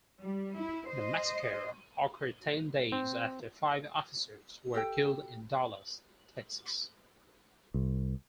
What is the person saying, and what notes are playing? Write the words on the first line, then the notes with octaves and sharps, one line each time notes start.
The massacre occurred ten days after five officers were killed in Dallas, Texas.
G3
E4
C5 D#5
C4
G4 A4 G5
C2